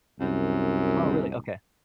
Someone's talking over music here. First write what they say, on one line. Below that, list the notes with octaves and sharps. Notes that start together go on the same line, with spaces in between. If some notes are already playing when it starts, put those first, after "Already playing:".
Oh, really? Okay.
C2 F#2